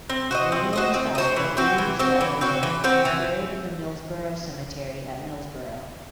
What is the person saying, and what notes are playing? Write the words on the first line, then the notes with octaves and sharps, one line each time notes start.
Williams died at Lewes, Delaware and was buried in the Millsboro Cemetery, at Millsboro.
C4
F#4 C5 D#5
C4
F#4 C5 D#5
C4
D#5
F#4 C5
E3
C4 F#4 C5
E3
C4 F#4 C5
E3
C4 F#4 C5
E3
C4 F#4 C5
E3